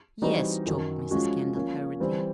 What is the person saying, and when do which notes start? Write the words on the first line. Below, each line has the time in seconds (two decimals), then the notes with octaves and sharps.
"Yes," choked Mrs. Kendall, hurriedly.
0.22 E3 G3 C4 D#4 F#4
0.66 F#2 D#3 F#3
1.11 F3 G#3 C#4 F#4
1.55 F3 A#3 C#4
2.00 E3 G3 C4